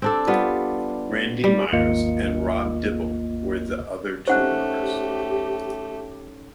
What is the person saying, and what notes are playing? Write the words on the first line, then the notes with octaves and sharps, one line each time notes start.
Randy Myers and Rob Dibble were the other two members.
C4 D4 A4
G3 B3 F4
G3
G#1 D#2 A#3 F4 D#5 C#7
A3 C#4 D#4 G4 C5 C#5 F#5 F#6